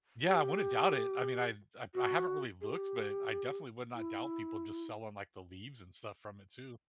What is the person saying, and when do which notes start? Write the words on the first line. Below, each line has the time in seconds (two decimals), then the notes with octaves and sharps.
Yeah, I wouldn't doubt it. I mean, I've I've I haven't really looked, but I definitely would not doubt people just selling like the leaves and stuff from it too.
0.27 G4
1.94 F#4
2.61 G#4
2.65 G4
3.95 E4